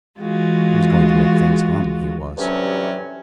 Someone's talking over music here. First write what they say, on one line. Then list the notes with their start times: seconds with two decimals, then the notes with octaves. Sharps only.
He was going to make things hum, he was.
0.20 E3 G#3 F4 F#4
2.37 D2 G2 C3 E3 F#3 C#4